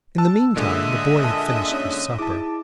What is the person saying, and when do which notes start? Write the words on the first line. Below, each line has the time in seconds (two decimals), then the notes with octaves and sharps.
In the meantime the boy had finished his supper.
0.18 A5 E6 F#6
0.56 A#2 D3 G#3 D#5 E5
1.24 G#5 A5 F6
1.69 C#4 D#4 C#5
2.19 D#4 E4 G#4 A5 D6